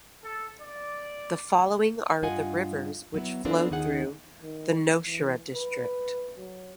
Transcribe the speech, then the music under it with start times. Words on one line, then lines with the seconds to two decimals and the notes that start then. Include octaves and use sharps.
The following are the rivers which flow through the Nowshera District.
0.24 A4
0.61 D5
2.23 G2 F4 D#5 F#5 G#5
3.14 F#3 B3 E4
3.45 B3 C4 D4 F4 A4 B4
3.70 D#2 D#3 D#4 G#4 F#5
4.42 D#3
5.05 E3
5.53 B4
6.37 F#3